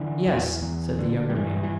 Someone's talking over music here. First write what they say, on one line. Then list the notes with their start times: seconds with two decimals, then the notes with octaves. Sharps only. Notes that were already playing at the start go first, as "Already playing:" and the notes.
"Yes," said the younger man.
Already playing: D3 E3
0.26 E2
0.62 E2
0.99 D3
1.30 G3
1.35 G2 E3
1.63 E3